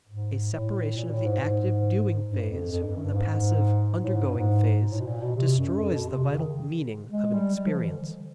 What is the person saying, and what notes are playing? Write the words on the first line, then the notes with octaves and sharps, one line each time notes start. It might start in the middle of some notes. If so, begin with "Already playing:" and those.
A separation of the active doing phase from the passive undergoing phase destroys the vital meaning of an experience.
G#2
A2
A#2
A2
G#2
G#2
G2
F2
F2
G2
F#2
G2
G#2
A2
G#2
G2
G#2
A2
B2
A#2
B2
C3
F#2
F2
B2
C3
C#3
D#3
G#3
G3
G3
F3
E3
D3